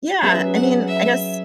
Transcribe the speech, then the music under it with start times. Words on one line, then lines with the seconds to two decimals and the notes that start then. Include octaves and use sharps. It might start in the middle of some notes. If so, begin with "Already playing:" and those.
yeah, I mean, I guess
0.22 F#3 C#4 G#4 B4 E5
0.55 F#5
0.88 E5